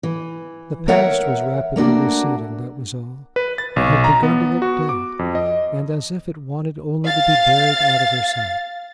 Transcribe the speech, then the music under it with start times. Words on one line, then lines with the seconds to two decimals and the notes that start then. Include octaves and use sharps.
The past was rapidly receding, that was all, and had begun to look dead, and as if it wanted only to be buried out of her sight.
0.03 E3
0.88 A#4 C#5 E5 F#5
1.76 A3 A#3 D4 F#4
3.36 B4
3.58 A6
3.76 B1
4.04 A#5
4.23 B3
4.62 F#4
4.89 D6
5.19 F2
5.35 D#5
7.06 F5 A6